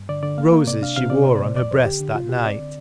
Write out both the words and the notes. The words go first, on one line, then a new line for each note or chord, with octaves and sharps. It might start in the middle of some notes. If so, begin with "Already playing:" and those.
Roses she wore on her breast that night.
Already playing: G2
D3 D5
D3 D5
A#3 F5
A#3
C3 D5
D4 F5
C3 F5
C3 D5
A#2 C5
D5
A#2
F2 D5
F2 C5
D3 G4
D3
C3 F4
C3 G4
C4 D5
D3